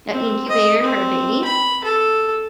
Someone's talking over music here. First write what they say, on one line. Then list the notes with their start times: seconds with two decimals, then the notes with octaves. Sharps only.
an incubator for a baby,
0.12 C4
0.48 D#5
0.83 C4
1.44 B5
1.84 A4